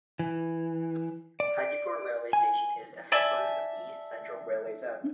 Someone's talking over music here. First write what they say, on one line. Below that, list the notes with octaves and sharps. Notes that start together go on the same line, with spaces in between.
Hajipur railway station is the headquarters of East Central Railway Zone.
E3
D5
G#5
D5 E5 G#5 A5